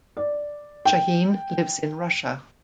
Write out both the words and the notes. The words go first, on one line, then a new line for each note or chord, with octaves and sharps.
Shaheen lives in Russia.
D5
G5